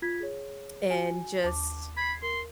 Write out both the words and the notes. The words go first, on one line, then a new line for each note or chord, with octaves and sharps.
and just
F4 G#6 B6
G#4 C#5
F#4 G#5
D#2 A5 D6
B5 G#6 C7
A#4 C6